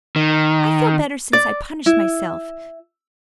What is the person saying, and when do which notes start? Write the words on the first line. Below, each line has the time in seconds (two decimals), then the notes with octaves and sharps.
I feel better since I punished myself.
0.16 D#3
1.33 D5
1.86 E4